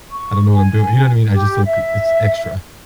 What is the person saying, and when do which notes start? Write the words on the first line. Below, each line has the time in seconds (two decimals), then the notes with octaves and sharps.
I don't know what I'm doing, you know what I mean? I just look it's extra.
0.13 C#6
0.55 G#5
1.33 G4
1.65 E5